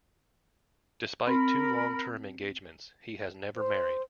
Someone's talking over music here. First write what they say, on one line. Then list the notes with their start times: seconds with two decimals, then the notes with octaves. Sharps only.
Despite two long-term engagements, he has never married.
1.27 C4 A#4 B5
3.56 C5